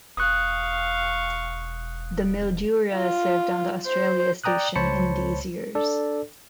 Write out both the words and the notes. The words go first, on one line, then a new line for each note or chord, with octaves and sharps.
The "Mildura" served on the Australia Station in these years.
E1 F5 C#6 D#6 F#6
F4
C5
D5 G5 A#5 D#6 F#6
C#2 C5 C#5 A5 B5 C#7
D4 A4 D5